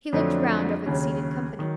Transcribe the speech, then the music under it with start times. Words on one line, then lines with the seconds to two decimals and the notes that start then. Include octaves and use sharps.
He looked round over the seated company.
0.13 F2 D3 F#3 A3 D4
0.86 D#2 C#3 F#3
1.59 D#3 F#3